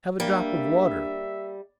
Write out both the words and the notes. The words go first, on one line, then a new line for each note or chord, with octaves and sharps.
Have a drop of water!
G3 A#3 D4 E5